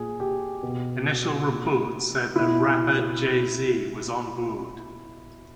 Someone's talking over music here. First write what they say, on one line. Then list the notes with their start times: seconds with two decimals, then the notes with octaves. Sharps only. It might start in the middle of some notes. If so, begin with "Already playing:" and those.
Initial reports said that rapper Jay-Z was on board.
Already playing: A#2 G#4
0.20 G4
0.63 B2
1.49 A#2
2.35 B2 E4